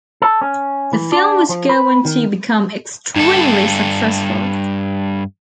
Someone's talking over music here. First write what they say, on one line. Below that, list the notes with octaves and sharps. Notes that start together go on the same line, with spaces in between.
The film would go on to become extremely successful.
A4
C#4
E3
D4
F3
B4
D#3
G2 A4